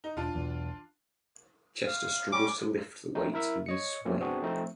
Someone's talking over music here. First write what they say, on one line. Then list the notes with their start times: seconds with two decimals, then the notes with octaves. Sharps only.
Chester struggles to lift the weight and they sway.
0.04 D#4
0.17 E1 D4 F4
0.35 B1 E2
1.87 F5
2.32 G3 C#4 D6
3.15 F3 A3 C4 D#4
3.34 E4 A#4 E5 E6
3.66 C#5 D#5 C#7
4.05 F3 G3 A3 A#3 C4 C#4
4.21 B3 C4 D4 F#4 G#4
4.43 F3 A3 C4 D#4